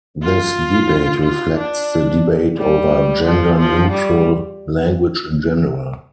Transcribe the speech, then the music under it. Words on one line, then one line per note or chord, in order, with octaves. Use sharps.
This debate reflects the debate over gender-neutral language in general.
F4
F4
D4
G3
F3
F3
G3